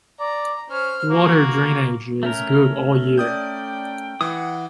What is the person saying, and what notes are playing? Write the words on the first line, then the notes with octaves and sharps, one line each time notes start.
Water drainage is good all year.
D5 A#5
C#4 C5 F6
A#3 F#4
A3 C#4 A#4
D5 G5 D#6 G6
E3 F#5 D#6